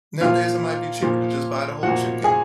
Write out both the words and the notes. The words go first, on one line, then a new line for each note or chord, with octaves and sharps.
nowadays it might be cheaper to just buy the whole chicken.
A#2 F3 F4 F5
A#2 F3
A#2 F3 F#4 F#5
G#4 G#5